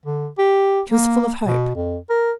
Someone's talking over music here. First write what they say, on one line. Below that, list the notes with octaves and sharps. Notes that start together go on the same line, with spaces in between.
She was full of hope.
D3
G4
A#3
B2
F2
A#4